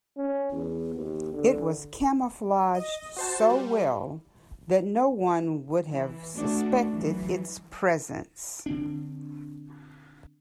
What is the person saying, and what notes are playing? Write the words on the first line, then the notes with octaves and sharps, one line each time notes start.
It was camouflaged so well that no one would have suspected its presence.
C#4
E2
D#2
D3
D#5
F#4 C5 A5
G3
E3
A3 D4 F#4
G2 E3 F#3
D3 C4 D4